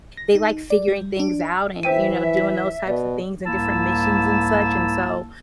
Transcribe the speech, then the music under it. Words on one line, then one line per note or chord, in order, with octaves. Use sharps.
they like figuring things out and, you know, doing those types things and different missions and such, and so,
A#6
D#4
D5
G3
D4
B5
E3 C5 E5 G5 D#7
B6
B2 D5
C2 G#2 A#3 E4 A5 E6